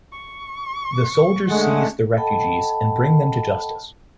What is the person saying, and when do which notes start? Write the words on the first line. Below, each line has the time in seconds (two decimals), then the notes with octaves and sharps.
The soldiers seize the refugees and bring them to justice.
0.12 C#6
1.48 D3 G#3 A3 F#5
2.18 A4 D#5 F#5 G5 A5 B5